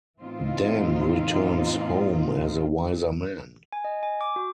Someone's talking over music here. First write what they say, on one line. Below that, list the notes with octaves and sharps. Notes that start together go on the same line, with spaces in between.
Dan returns home as a wiser man.
A2 E3 B3 C4 D#4 F4
G#5
D#5
G#5
D6
F#4